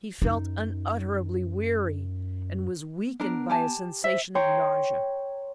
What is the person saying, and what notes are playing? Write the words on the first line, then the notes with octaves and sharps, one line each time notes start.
He felt unutterably weary, and was weakened by a sensation of nausea.
F#2 D#4
B3
B3 D4 A#4
G4 G#5 A5
C5 E5
C#5 G5 A#5 C6